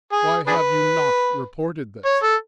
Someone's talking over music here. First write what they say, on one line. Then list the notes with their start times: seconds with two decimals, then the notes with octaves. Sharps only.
Why have you not reported this?
0.12 G#4
0.47 D4 G#4 B4
2.05 C#5
2.23 A4